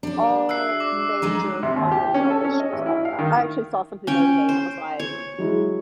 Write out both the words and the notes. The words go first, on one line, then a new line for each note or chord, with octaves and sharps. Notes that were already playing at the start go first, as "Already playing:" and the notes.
all major fundamental issues, I I I actually saw something the other day and it was like
G3 D4 D5
F#3 G#3 E5 E6 F#6 C7
D6
G#3 D4 D#4 G#4 C5
C3
D#2
G4
C#4
A4
C#4
D#5
A1
E4
F5
D#3
C#4 G5
C5
C#5
F#3 G#3 E4